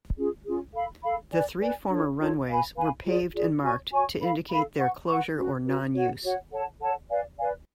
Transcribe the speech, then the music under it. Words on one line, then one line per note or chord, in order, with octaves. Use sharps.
The three former runways were paved and marked to indicate their closure or non-use.
C#4 F4 G#4
C#4 F4 G#4
A4 F5 B5
A4 F5 B5
B4 D5 G#5
B4 D5 G#5
D4 F4 A4 C#5
D4 F4 A4 C#5
B4 F5 G#5 B5
B4 F5 G#5 B5
F4 G#4 D5
F4 G#4 D5
F#4 C#5 G#5 C#6
F#4 C#5 G#5 C#6
A4 F5 B5
A4 F5 B5
B4 F#5 C#6
B4 F#5 C#6
C#4 F#4 B4
C#4 F#4 B4
F#4 C#5 F#5
F#4 C#5 F#5
A4 C#5 F#5 A5
A4 C#5 F#5 A5
B4 D5 F5 G#5
B4 D5 F5 G#5